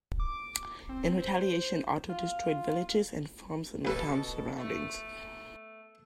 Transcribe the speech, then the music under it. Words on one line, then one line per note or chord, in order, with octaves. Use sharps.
In retaliation, Otto destroyed villages and farms in the town's surroundings.
D6
C4
C5
F4
A1 B2 A4 B4
A3